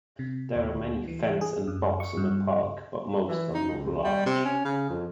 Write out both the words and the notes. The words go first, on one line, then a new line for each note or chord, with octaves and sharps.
There are many fens and bogs in the park, but most are not large.
C3
D#2
D2
E3
G#4
F#2
C#6
G2
E3
D#4
C#2
G3
C3
C#4
C#3
F2